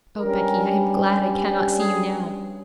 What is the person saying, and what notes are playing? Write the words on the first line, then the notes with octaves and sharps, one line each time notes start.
O Becky, I am glad I cannot see you now!'
G2 G3 C#4 A#4
G#4